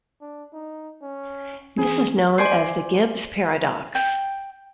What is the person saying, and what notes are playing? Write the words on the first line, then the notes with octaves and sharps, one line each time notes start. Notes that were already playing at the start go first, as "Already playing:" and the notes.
This is known as the Gibbs paradox.
D4
D#4
C#4
E3 C4 C#4 G#4
C5 D5 G#5 C6
G5